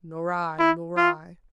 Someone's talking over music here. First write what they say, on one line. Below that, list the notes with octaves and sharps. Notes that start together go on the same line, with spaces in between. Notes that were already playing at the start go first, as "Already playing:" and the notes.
"Nor I,--nor I."
E4
F4